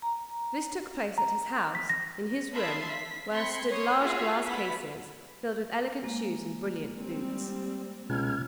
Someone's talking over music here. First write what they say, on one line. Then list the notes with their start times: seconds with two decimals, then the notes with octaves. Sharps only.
This took place at his house, in his room; where stood large glass-cases, filled with elegant shoes and brilliant boots.
0.02 A#5
1.18 A#5
1.75 B6
1.89 A#6
2.54 E5 F5 A5 B5 C6 D#6
2.89 B6
3.31 C4 B5 C6 G#6 B6 C#7
3.70 C#5 C6 D#6
4.00 F4 F#4 G#4 E5 F#5
4.44 B3 E4 B5 B6
6.02 G#3 A#3
6.97 G3 C4
8.10 C#2 B2 F6 G#6